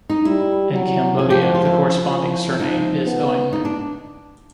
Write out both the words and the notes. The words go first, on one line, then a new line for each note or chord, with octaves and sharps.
In Cambodia, the corresponding surname is Oeng.
D#4
G3 E4
F#3
F3 G#4
G4
F#4
F4
E4
F3
F3 D#4
B3
D#4
D4